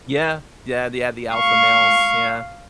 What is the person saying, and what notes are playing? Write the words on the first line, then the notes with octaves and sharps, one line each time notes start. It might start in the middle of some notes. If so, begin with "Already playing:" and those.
Yeah. Yeah, they have the alpha males. Yeah.
F5 C#6